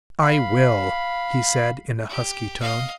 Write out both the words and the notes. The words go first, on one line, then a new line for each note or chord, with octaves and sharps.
"I will," he said, in a husky tone.
F5 B5
G4
D#5 F5